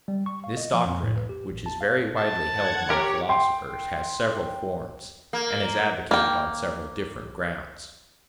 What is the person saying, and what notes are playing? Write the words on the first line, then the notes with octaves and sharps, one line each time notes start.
This doctrine, which is very widely held among philosophers, has several forms, and is advocated on several different grounds.
G3
C#6
F5
D#5
F3
F2
A2
B4
G4
A1
A5
F5
A5
F#5 G#6
G4 A#4 C#5
G5 C6
A#3
A#3 G5